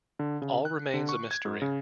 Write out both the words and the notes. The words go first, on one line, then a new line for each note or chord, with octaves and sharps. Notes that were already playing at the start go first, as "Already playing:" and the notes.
All remains a mystery.
D3
C#3
F#6
D3
C#6
G#6
G#2
C#3